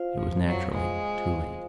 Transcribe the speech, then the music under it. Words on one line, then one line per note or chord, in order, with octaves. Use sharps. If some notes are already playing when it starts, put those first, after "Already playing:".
It was naturally too late.
Already playing: F4 C5 F5
F3
F#3
G#3